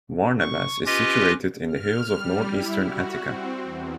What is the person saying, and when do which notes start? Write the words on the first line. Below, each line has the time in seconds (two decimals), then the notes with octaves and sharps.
Varnavas is situated in the hills of northeastern Attica.
0.40 C#6
0.86 C#4 F4 G4 B4 D#5
1.67 F6
2.10 G3
2.49 E4
2.83 F#4
3.24 C4
3.62 E2